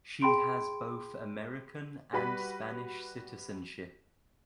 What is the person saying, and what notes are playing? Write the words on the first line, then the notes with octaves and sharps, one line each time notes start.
She has both American and Spanish citizenship.
G#4 G5 B5 C6 D7
G3 F#4 B4 B5 B6